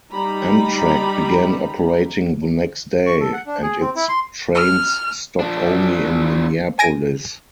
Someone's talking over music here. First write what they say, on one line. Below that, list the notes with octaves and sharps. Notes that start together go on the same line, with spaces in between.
Amtrak began operating the next day and its trains stopped only in Minneapolis.
G3 D#4 A#5 B5
C#6
A4
F#5
D4
G#4
C4
E4
C6
F6
F3 D4
G#5 G#6 A#6 D7 D#7